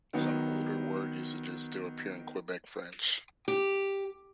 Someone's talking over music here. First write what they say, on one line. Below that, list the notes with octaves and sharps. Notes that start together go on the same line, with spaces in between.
Some older word usages still appear in Quebec French.
D#3 F#3 B3
G4